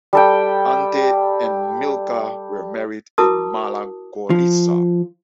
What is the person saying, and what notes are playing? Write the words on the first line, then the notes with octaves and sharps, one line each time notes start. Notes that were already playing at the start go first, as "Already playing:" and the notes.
Ante and Milka were married in Mala Gorica.
G3 A4 G5
E4 F#4 A#4 A5 D6 D#6
F3